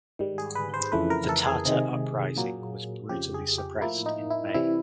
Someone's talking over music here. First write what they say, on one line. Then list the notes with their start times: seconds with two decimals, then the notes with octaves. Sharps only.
The Tartar uprising was brutally suppressed in May.
0.19 G#2 D#3 G3
0.38 G#4
0.55 B4
0.74 C5
0.92 F2 C#3 E3 A3 B4
1.10 A#4
1.29 A4
1.46 G#4
1.65 C3 D#3 G#3
2.37 A#2 F#3 A#3
3.09 F2 C#3 F3 G4
3.34 G#4
3.58 G4
3.82 A2 F3 A#3 E4
4.06 D#4
4.30 E4
4.54 C3 E3 G3 E4